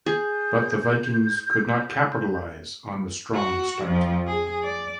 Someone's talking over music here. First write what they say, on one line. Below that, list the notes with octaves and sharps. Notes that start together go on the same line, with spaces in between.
But the Vikings could not capitalize on the strong start.
G#4 G6
F#4
F2 F3
G#4
D5